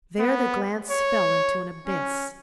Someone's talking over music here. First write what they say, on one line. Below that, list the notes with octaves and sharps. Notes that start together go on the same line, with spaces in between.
There the glance fell into an abyss.
B3
C#5
C#4